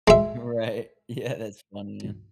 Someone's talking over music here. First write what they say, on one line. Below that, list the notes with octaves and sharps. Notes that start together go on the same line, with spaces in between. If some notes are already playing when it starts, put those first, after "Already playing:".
Right. Yeah, that's funny, yeah.
G#3 E5